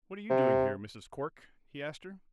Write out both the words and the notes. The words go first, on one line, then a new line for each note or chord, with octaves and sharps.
"What are you doing here, Mrs. Cork?" he asked her.
C3